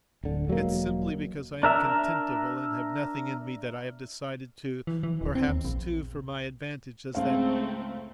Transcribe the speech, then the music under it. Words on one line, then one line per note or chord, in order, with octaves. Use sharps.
It's simply because I am contemptible and have nothing in me that I have decided to, perhaps too for my advantage, as that...
D1 D3
E1 F#3 G#3 A#3
D4 A#4 E5
E3
E3
D1
C4
D#2
A#1
C#2 A3 C4 G#4 F5